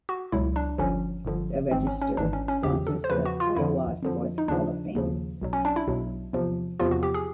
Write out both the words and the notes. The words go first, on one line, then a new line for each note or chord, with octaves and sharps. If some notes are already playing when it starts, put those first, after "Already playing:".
The "Register" sponsors the Iowa Sports Hall of Fame.
F#4
C#2 B2 F#3 E4
D4
G1 G2 D3 F3 C#4
G1 G2 D3 F3
G#1 G#2 E3 C4
C#4
C#4
G#1 G#2 E3 D4
C#4
C#4
E2 C#3 F3 G4
A4
C5
E2 C#3 F3 B4
F#4
F4
F2 D3 F3 E4
F2 D3 F3
D#4
D#2 C#3 F3 D4
D#2 C#3 F3
B1 B2 F#3
C#4
D4
E4
B1 B2 F#3
E2 C3 F3
E2 C3 F3 F4
F#4
G4
G#4